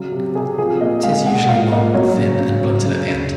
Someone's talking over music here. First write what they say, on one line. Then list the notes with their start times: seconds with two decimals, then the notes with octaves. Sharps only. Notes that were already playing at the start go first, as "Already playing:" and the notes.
It is usually long, thin, and blunted at the end.
Already playing: C#3 F#3
0.12 C3
0.35 C3 G#4
0.58 F3 G#4
0.81 A#2 D#5
1.03 G#3 F5
1.26 G#3 F#5
1.38 F#5
1.48 A#2 F5
1.62 F5
1.72 A#2 D#5
1.94 F#3 C#5
2.17 C#3
2.39 C#3
2.63 F#3
2.86 C#3
3.08 C#3